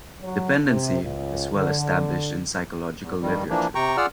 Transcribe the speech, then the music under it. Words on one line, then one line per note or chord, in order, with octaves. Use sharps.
"Dependency" is well-established in psychological literature.
F#3
C3
C#2
D3
E2
G2 D#3 G3
E3 F3 A#3 D4
C3 G5 A#5 C#6
F4 G#4 D5 F#5 E6 F6